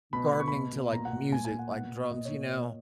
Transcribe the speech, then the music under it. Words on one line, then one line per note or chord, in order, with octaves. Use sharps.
gardening to, like, music, like, drums, you know,
B2 B5
B2 B5
C#6
B2 B5
B2
A#2 A#5
F#5
A#2
A#2 G#5
G#5
A#2
F#5
B2 F#5
B2
A#2 D#5
C#5
A#2